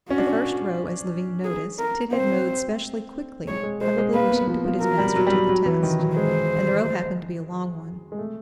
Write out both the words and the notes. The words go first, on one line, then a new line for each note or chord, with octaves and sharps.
The first row, as Levin noticed, Tit had mowed specially quickly, probably wishing to put his master to the test, and the row happened to be a long one.
C#4 F#4
D4
C#4
G#4
A#4
C4 C5
G#3 C#5
G#3
G#3 C5
G#3
A#3 B4
B3
F3
F3
F#3 A#4
G3
F#3
G3
F#3
F#3
E3
D#3
F#3
G#3 C5
G#3
A3